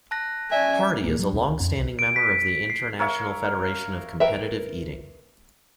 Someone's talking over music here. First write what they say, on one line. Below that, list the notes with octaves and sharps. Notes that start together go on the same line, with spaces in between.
Hardy is a long-standing member of the International Federation of Competitive Eating.
A5 F#6 A#6
C#4 D5 E5 G#5
D1 A#3
F#3
D#2 B2 C#4
D2
F2 C#4
D1 C2
D7
B6
C7
A#4 C#5 E5 F5
A#4 B4 E5